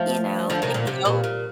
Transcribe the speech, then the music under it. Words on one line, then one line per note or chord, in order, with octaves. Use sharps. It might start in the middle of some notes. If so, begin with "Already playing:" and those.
you know they can go
Already playing: F3 A3
D3 F3
C3 D#3
A#2 D3
C3
A#2
A#2